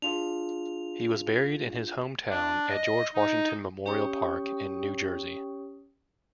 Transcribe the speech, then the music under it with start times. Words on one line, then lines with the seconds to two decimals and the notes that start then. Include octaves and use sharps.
He was buried in his hometown at George Washington Memorial Park in New Jersey.
0.02 D4 F4 G#4 F7
2.30 D4
2.69 D#5
3.13 D#4
3.86 C#4 G4 C#5 G5 C#6 D#6